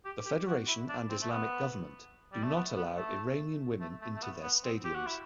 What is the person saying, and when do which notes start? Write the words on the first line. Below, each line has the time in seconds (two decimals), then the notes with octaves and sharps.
The federation and Islamic government do not allow Iranian women into their stadiums.
0.05 G4
0.26 G4
0.47 F#4
0.68 E4
0.88 D4
1.09 C4
1.21 A3
1.30 B3
2.33 G3
2.44 A3
2.55 B3
2.77 B3
2.97 A3
3.80 A3
4.01 A3
4.16 A3
4.22 B3
4.43 B3
4.64 C4
4.84 G4
4.95 F#4
5.06 E4